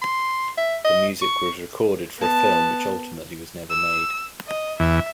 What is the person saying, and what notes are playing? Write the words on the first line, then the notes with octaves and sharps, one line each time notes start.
The music was recorded for a film which ultimately was never made.
C6
E5
D#5
C#6
B3 A5
E6
D#5
E2 E5